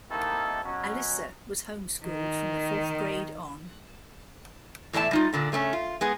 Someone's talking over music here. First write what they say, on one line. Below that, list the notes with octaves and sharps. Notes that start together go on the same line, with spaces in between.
Alyssa was homeschooled from the fourth grade on.
C3 D#3 A#3 D#4 E4 A4
B2 F#3 C#4
D#3
E2 A2 A3 D5 A5
G3 D#4 F4
A#2 D3 A#3
C#3 A3 C4 C#4
F4
G#3 B3 G#4